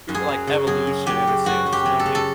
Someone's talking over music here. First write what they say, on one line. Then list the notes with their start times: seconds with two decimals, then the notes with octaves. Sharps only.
through, uh, like, evolution in a sense, you know what I mean?
0.09 F#2
0.15 G#4
0.28 F#3
0.47 C#3
0.67 F#2 G#4
0.87 F#2
1.06 F#3 G4
1.27 C#3
1.46 F#2 F#4
1.66 F#2
1.72 G4
1.86 F#3
1.99 A4
2.06 C#3
2.15 A4